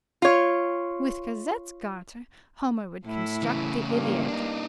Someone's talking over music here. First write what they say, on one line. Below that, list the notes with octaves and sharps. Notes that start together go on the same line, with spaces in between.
With Cosette's garter, Homer would construct the Iliad.
F4 C#5
A2 E4
C#3 E3
G2 A#3
D4 D#4